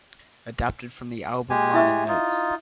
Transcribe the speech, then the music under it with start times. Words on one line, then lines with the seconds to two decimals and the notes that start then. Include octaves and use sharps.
Adapted from the album liner notes.
1.50 G#3 G4 G#5
1.74 E4 E5 C#6
2.08 D#4 F4